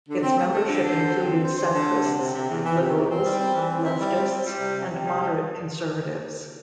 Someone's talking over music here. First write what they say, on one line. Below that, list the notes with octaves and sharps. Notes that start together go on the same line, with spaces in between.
Its membership included centrists, liberals, leftists, and moderate conservatives.
D3
C4
A3
A3
D3
C5
A4
C4
D3
C5
C5
D3
A3
C3
C3
C3
E2
E3
C3
E2
C4
G3
C4
E3
C4
E4
G3
C4
G3
G3
C3
C3
C3
G3
G3